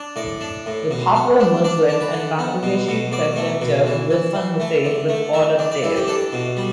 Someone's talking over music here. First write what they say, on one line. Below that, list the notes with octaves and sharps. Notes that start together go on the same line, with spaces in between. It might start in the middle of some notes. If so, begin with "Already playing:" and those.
The popular Muslim and Bangladeshi presenter Rizwan Hussain was brought up there.
Already playing: D4
A2 D5
D4
A2
B2
B3
D4
D4 D5
D4
B4
D3
B3
B2
B2
B2 D5
A3
B2
E3
E3
E3
A3
D3
A3
E3 E5
D4
D5
E3 E4
G4
D4 A4
B2
G3